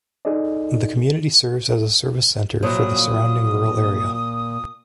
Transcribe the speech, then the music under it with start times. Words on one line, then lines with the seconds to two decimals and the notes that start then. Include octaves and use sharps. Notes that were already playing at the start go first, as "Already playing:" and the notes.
The community serves as a service centre for the surrounding rural area.
0.25 D#4 G#4 A4 D5 D#5
2.63 A#2 F3 F#3 E4 D#6